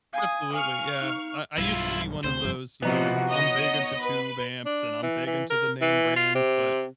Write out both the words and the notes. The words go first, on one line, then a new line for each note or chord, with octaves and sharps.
Absolutely, yeah, I I used to be one of those, you know, "I'm big into tube amps," and "I'm big into the name brands," but,
F5 G#5 D#6
F5 G#5 C#6 F6
D#4
B1 G2 E4 F4
D2 C3 C5
F1 G2 F3
C3 E3 F3 B3 D#4 F#4
C#5 D#5
B4
D4
E3
E3
A#4
E3
F4
C3